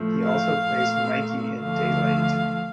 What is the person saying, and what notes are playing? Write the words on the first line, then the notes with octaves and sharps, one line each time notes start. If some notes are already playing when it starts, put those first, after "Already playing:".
He also plays Mikey in "Daylight".
Already playing: A2 F3 A3
F5
A#2 A3
D2 D3 F3 A3 F5